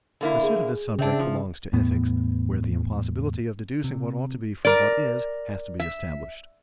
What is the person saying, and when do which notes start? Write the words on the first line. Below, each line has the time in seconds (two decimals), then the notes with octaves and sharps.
The pursuit of this subject belongs to ethics, where the impossibility of deducing what ought to be from what is has to be established.
0.21 D3 A#3 E4
0.43 G#4
0.99 C#3 C4 D4 E5
1.19 F3
1.73 E2 A2 B3
3.84 C3
4.65 A#4 D5
5.80 E5